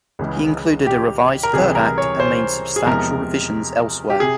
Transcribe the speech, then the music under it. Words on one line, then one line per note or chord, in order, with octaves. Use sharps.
He included a revised third act and made substantial revisions elsewhere.
C#2 C#3 E3 G#3
G4
A#4
C#2 C3 E3 G3 G#4
A#4
C#5
C5
G#4
E2 C3 F3 G#3 A#4
G4
C3 G#4